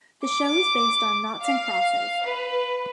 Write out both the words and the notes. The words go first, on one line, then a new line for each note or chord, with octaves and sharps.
The show is based on noughts and crosses.
D6
F5
B4